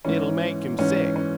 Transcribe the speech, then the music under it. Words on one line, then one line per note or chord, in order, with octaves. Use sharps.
"It'll make him sick."
G#2 E3 C#4
G#2 E3 C#4
C#4